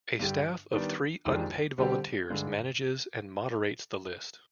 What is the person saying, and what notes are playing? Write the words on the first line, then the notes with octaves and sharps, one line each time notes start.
A staff of three unpaid volunteers manages and moderates the list.
G2 D3 G3 D4 G4
D#3 G3 B3 D4
F2 D#3 G#3 D4 G4
D3 G3 C4 G4
G2 D3 G#3